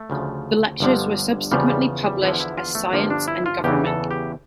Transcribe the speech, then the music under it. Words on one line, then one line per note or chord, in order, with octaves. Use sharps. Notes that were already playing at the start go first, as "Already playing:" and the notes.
The lectures were subsequently published as Science and Government.
Already playing: A3
D2 C#3 F3
G1 G2 D3 F3
E2 C#3 F3 G3
G3
G3
E2 D3 F3 E4
E4
F4
A3
G1 G2 F3 A#3
D4
E4
F4
E2 C#3 E3 G4
A4
G4